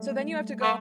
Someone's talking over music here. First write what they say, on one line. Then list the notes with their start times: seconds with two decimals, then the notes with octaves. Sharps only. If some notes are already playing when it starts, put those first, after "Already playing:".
So then you have to go
Already playing: G3 A3 A#3
0.63 A3